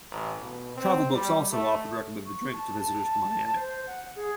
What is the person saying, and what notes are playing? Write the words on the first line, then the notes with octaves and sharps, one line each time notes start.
Travel books also often recommend the drink to visitors to Miami.
A1
B2
C4
G3
A3
C#6
A5
A5
A5
C5
F#5
G#4